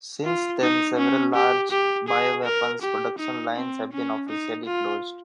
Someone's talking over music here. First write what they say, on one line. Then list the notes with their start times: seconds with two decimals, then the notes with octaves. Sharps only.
Since then several large bioweapons production lines have been officially closed.
0.25 F4
0.61 D#4
0.97 C#4
1.35 G4
1.71 G4
2.08 G#4
2.45 A#4
2.82 G4
3.18 D#4
3.55 C4
3.92 C#4
4.29 D#4
4.65 F4